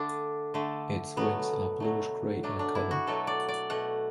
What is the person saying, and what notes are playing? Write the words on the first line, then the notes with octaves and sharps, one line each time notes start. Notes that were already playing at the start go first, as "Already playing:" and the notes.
Its wings are bluish-gray in color.
Already playing: D3 A3 D4
D3 A3
B2 F#3 A3 B3
B2 F#3 A3
B2 F#3 A3 D4
D4
E4
F#4
B2 F#3 A3 A4
D5
D5
B2 A3 F#5